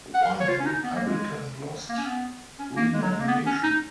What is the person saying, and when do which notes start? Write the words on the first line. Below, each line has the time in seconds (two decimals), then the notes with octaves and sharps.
One Republican lost renomination.
0.14 F#5
0.22 F5
0.41 C#5
0.49 F4
0.60 C#4
0.66 D#4
0.84 B3
0.96 A#3
1.07 G#3
1.89 A#3
1.98 C#4
2.06 B3
2.59 C#4
2.77 A#3
2.94 G#3
3.02 F#3
3.12 G#3
3.20 A#3
3.29 B3
3.47 C#4
3.64 D#4